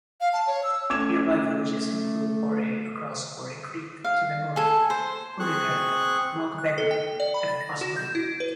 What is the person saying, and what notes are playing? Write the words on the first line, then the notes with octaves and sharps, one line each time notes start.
Nearby villages include Oare across Oare Creek to the north, Luddenham, Mockbeggar and Ospringe.
F5
A5
C#5
E6
A3 C#4 D6 G#6 E7
F5
A4 G#5
C5
C4 G#4 C#6 F#6
F#6
A4
G5
D5
B5
A6
A#6
F#4
G6
E4
B4